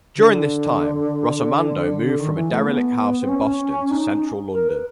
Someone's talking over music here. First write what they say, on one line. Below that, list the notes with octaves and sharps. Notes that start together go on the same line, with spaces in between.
During this time, Rossomando moved from a derelict house in Boston to Central London.
D3
D3
D#3
E3
A3
B3
C4
C#4
D#4
A#4
B4